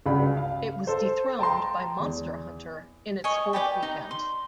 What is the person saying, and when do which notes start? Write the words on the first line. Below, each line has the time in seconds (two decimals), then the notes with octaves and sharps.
It was dethroned by "Monster Hunter" in its fourth weekend.
0.06 C#2 G2 C#3 F#4 B5
0.37 F5
0.87 A4 C5
1.39 G5 A5 A#5 C6
2.00 E2
3.24 C#5 D#5 G#5
3.53 G4 B4 D5 G5
3.83 D#4
4.11 C6